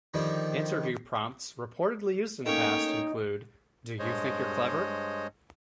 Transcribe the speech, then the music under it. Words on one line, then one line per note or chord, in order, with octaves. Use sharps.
Interview prompts reportedly used in the past include Do you think you're clever?
D3 D#3 F3 G3 A#3
A3 A#3 C#4 D#4 C#5 G5
G2 G#3 C5 C#5 D#5